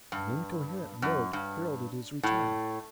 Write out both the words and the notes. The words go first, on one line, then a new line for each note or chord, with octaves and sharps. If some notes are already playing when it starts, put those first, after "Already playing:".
An incoherent note heralded his return.
G2
F#2
G2
A2